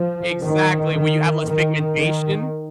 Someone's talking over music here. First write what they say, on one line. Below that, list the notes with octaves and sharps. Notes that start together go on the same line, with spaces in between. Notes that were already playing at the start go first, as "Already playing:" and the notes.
Exactly, where you have less pigmentation
Already playing: F3
D#3
D#3
D#3
D#3